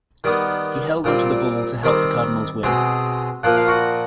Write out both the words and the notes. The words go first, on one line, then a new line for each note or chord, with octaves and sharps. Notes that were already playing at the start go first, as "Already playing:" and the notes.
He held on to the ball to help the Cardinals win.
D#3 G3 B3
A#2 G3 C4
D#3 G3 C4
B2 G#3 C4
A#2 F3 A#3 F#5
F5
F#4 F#5